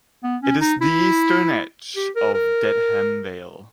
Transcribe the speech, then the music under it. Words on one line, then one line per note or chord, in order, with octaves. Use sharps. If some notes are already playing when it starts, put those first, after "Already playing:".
It is the eastern edge of Dedham Vale.
B3
C#4
D#4
E4
G4
A#4
A#4